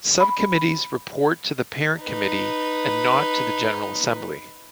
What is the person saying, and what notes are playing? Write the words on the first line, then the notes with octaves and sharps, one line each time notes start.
Subcommittees report to the parent committee and not to the general assembly.
B5
D#4 B4